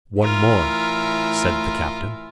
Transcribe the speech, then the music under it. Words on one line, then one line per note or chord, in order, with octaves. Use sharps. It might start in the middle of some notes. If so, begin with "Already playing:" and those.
"One more," said the captain.
A2 E3 F4 A#4 E5